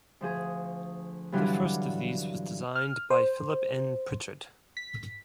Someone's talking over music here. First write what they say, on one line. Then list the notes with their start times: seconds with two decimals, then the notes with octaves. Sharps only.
The first of these was designed by Philip N. Pritchard.
0.21 D2 F3 G#4
1.32 G2 D3 E3 F#3 D4 F4
2.76 F6
3.10 C5
4.77 B6